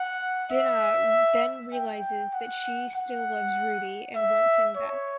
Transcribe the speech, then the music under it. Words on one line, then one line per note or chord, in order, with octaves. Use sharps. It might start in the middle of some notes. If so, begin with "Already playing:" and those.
Dinah then realizes that she still loves Rudy and wants him back.
Already playing: F#5
E5
G5
F#5
F#5
E5
C#5